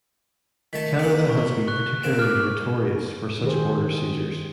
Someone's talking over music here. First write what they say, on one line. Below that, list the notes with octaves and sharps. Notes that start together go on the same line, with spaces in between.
Canada has been particularly notorious for such border seizures.
D#3 A3 A5 B6
A#3 G4 C#7 F#7
C#6
C#6 F#6
A#3 C4 E7
D6 F6
D#3 G#3 G4 G#4 C5